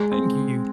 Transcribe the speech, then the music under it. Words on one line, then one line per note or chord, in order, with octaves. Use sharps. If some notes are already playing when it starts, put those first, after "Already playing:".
Thank you.
Already playing: G#3
C4